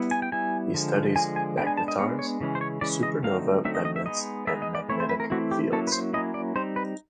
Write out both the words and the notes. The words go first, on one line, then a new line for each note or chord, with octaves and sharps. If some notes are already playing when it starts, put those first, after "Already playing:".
He studies magnetars, supernova remnants and magnetic fields.
Already playing: G3 B3 E4
G#5
G5
G3 B3 E4 G#5
D3 F3 G#3
D3 F3 G#3 G#5
G#5
G#3 B3 D4 G5
G#5
A5
D#5
G#3 B3 D4 C#5
C#5
C#3 E3 G#3 C#4
C5
C#5
C#3 E3 G#3 C#4 D5
D#5
D3 F#3 A3 C4 D#4 F5
D3 F#3 A3 C4 D#4 E5
D#5
D#5
E5
G#3 B3 D#4 D#5
G#3 B3 D#4 E5
D#5
D5
E3 A3 C4 E4 C#5
C5
B4
A#4
E3 A3 C4 E4 F#4
G4
F#3 A#3 C#4 E4 A4
B4
C5
F#3 A#3 C#4 E4 D#5
D5
G3 C4 D#4 C5
B4